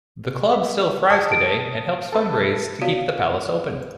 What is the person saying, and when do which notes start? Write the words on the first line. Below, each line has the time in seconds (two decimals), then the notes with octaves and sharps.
The Club still thrives today and helps fundraise to keep the Palace open.
0.53 E5
1.10 A5 D#6
1.32 D7
2.12 A4 B4
2.81 B3 F4 F#4 C#5 D5 F5